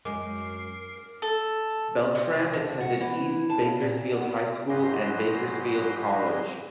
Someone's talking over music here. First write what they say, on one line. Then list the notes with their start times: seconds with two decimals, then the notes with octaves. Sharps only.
Beltran attended East Bakersfield High School and Bakersfield College.
0.05 F#2 G#3 A#4 D6 C7
1.22 A4
2.15 C3
2.53 F2
2.81 F#4
3.01 E3
3.50 A5
3.62 C#3
3.80 A#2
4.14 B3
4.70 G#2 F#3 G4 B4 C6 A#6